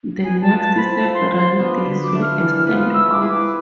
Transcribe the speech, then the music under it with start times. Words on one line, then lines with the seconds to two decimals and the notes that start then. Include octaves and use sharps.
The next several days were a standoff.
0.24 B3 G#5
0.42 A5
0.51 F4 B4
0.60 A5
0.77 C4 B5
0.95 A5
1.04 F4 A4
1.14 C6
1.31 F3 C6
1.59 B3 D4 F4
1.85 D3 B5
2.04 D6
2.13 A3 D4
2.22 F6
2.40 E3
2.67 B3 F4 B4
2.94 A3 E6
3.12 D6
3.21 E4 G#4 B4
3.30 D6